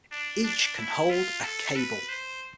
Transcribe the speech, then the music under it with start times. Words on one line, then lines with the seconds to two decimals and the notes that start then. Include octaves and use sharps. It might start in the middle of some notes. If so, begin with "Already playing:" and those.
Each can hold a cable.
0.12 D4
0.44 D4
0.78 E4
1.10 F4
1.42 A4
1.76 B4
2.09 C5